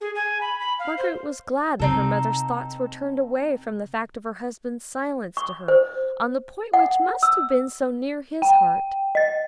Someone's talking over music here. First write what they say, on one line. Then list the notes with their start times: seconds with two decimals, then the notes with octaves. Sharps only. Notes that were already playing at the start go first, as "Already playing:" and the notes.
Margaret was glad that her mother's thoughts were turned away from the fact of her husband's silence to her on the point which must have been so near his heart.
0.01 G#4
0.15 G#5
0.40 B5
0.59 B5
0.79 F5
0.97 C5
1.80 C3 C4 D#4 A4
5.37 C#6
5.68 C5
6.73 F#5
7.23 E6
8.42 G5
9.15 D#5 A6